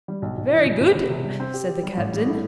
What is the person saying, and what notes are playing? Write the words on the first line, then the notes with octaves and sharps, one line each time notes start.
"Very good," said the captain.
G3
B1
B1
E3
E1
E1
E1
C3
G3
C4
G4
G4
G3
A1
G3
A2